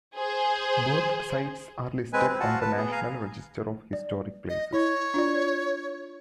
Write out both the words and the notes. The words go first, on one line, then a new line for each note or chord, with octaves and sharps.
Both sites are listed on the National Register of Historic Places.
G#4 C5
G#3 C4 B4 G#5
C4
F4 F#4 F#5 A5
B4 A5
B3 G#4
F5 G#5 A#5
D5
D#5
E4 C#5
D4 F4 D5